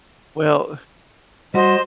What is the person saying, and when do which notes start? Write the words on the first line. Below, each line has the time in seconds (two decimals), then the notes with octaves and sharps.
Well, uh,
1.54 G3 F#4 C5 D#5 C6